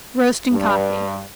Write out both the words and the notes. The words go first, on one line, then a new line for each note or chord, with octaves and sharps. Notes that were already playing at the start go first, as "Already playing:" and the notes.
Roasting Coffee.
G2